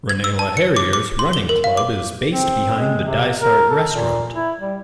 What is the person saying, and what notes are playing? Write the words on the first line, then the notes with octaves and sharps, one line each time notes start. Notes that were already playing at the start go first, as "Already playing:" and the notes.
Ranelagh Harriers running club is based behind the "Dysart" restaurant.
G#6
E6
A5
C#7
D6
D6
C6
G7
A#4
F5
D6
C4
G#3
C3
A#4
A4
A#2
E4
G3